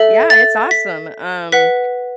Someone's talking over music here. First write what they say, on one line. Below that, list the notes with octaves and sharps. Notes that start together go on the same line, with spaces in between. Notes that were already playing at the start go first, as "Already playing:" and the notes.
Yeah, it's awesome, um,
Already playing: A4 E5
A6
B6
B4 F#5 B6